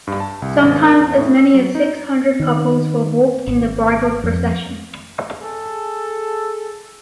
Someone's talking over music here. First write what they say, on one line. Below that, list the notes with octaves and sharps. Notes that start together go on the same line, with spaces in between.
Sometimes as many as six hundred couples will walk in the bridal procession.
G2
A5
C2
G#1
A#4
E2
A2
E6
F#3
D#4
D#3
G#1
F2
G#4 A4